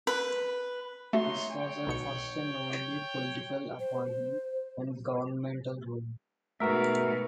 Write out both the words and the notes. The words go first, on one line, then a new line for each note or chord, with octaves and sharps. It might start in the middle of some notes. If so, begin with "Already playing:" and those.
This was her first and only political appointment and governmental role.
B4
A3 D#4 F#4 C#5 C6
C#5 G5
B1 B2 C#7
C5
G#2 B2 A3 F#4 A#4 B4 E5